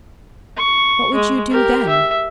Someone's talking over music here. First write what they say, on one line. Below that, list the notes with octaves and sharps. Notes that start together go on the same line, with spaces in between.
"What would you do then?"
C#6
G#3
G4 A#4
E5